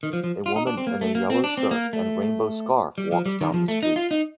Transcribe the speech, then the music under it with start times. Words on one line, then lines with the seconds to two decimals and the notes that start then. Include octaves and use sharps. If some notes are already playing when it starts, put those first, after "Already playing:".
A woman in a yellow shirt and a rainbow scarf walks down the street.
0.03 D#3
0.13 F3
0.24 F3
0.46 F4
0.56 D#4
0.67 D4
0.77 C4
0.87 A#3
1.01 A3
1.15 A#3
1.30 C4
1.44 D4
1.57 C4
1.71 A#3
1.93 A3
2.98 G3
3.12 F3
3.26 G3
3.41 D#3
3.54 F3
3.68 A3
3.83 D#4
3.96 F4
4.11 D#4